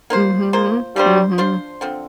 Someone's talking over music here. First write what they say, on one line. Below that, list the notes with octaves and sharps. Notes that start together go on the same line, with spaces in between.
Mhm, mhm.
A#3 F4 C5
A#3 F4 C5
F3 G3 D4 F4 C5
F3 D4 F4 C5
D3 F3 C4